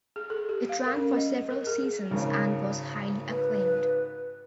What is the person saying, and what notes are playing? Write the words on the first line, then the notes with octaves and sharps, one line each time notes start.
It ran for several seasons and was highly acclaimed.
G#4
A4
G4
F5
A#4
C#4
D#5
A#4
G#4
G#1 C#3 A#4
B4